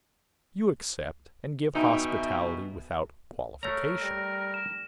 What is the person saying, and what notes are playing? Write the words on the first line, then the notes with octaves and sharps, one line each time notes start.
You accept and give hospitality without qualification.
B2 D#4 E5 G5 G#5
A3 A#4 C#5 A#5
G3 A#6
E7